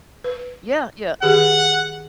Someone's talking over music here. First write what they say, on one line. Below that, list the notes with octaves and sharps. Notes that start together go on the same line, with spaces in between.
Yeah, yeah,
B4
D#3 G4 G#4 F#5